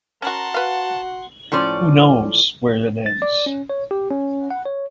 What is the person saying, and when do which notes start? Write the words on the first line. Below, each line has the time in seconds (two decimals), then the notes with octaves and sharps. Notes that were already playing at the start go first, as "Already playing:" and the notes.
Who knows where it ends?
0.22 C#4 F#4 A#4 F#5 A5 C6
0.54 F#4 B4 F5
1.52 A2 F3 C#4 D5
3.06 A6
3.22 D5
3.46 C#4
3.70 C#5
3.91 G4
4.10 C#4
4.51 F#5
4.65 C#5